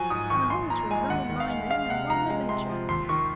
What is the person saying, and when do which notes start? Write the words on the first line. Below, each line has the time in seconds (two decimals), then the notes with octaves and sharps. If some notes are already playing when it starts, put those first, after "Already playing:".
And the horse would have run in my name and won the Leger!
Already playing: F3 F#3 G#5
0.10 G#2 D#6
0.30 D#3 C#6
0.50 A#1 C6
0.70 A#2 A#5
0.91 G#3 G#5
1.10 D#2 F#5
1.30 D#3
1.40 F5
1.49 G#3
1.70 G#3 F5
1.89 C3 F#5
2.10 F3 A#5
2.30 G#3
2.49 C3 C6
2.69 F3
2.89 D#2 C6
3.09 D#3 C#6